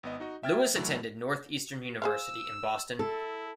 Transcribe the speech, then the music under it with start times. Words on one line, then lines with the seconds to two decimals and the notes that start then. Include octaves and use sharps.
Lewis attended Northeastern University in Boston.
0.03 G#1 B3 D#5
0.20 D#4 F#4 D#5
0.43 E5 G5 F6 G#6 A6
0.75 G2 E3 F#3 A3
2.02 G#4 C5 F5 E6
2.99 E4 A4